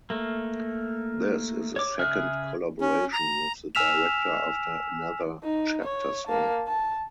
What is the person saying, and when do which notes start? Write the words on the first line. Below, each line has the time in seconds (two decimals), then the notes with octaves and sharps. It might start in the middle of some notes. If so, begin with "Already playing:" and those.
This is the second collaboration with the director after "Another Chapter song".
0.10 A3 A#3
1.76 C#5 D6
1.99 C#3 G#4 E5 F6 F#6
2.81 C#4
3.13 A#5
3.75 G#5 E6 F6 B6 E7 F7
5.44 D#4
5.83 C#5
6.28 A#3 A5
6.68 A5